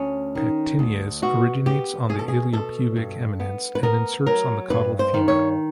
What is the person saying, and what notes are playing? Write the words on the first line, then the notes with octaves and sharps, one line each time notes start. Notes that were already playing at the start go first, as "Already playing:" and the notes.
Pectineus: originates on the iliopubic eminence and inserts on the caudal femur.
Already playing: D2 C#4
D#3
D2
B2 F#4
B3 G4
B2 G#4
A4
G#4
B2 A4
G2
B3
B4
B3 A#4
F#3 A#4
G2 B4
C5
D#3
C#5